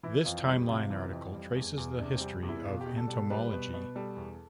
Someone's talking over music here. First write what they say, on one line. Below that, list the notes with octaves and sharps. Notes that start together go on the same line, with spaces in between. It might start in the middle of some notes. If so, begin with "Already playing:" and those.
This timeline article traces the history of entomology.
E3 E4
F2 F4
G3 G4
C3 F4
E3
F2
G3
E2
E2
C3 D4
G3 C4
E2
E4
B2 F4
G4
B2
A4
G3
A4
G3 B4
B2 B4
B2 B4
G3 A4
E2